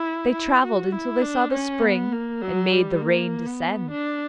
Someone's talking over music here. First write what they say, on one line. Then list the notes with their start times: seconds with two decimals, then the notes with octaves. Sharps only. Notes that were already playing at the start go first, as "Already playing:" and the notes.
They travelled until they saw the spring and made the rain descend.
Already playing: E4
0.33 E4
0.63 F#4
0.93 E4
1.22 D4
1.52 C#4
1.82 B3
2.13 A#3
2.42 F#3
2.72 G3
3.02 A#3
3.46 B3
3.91 D4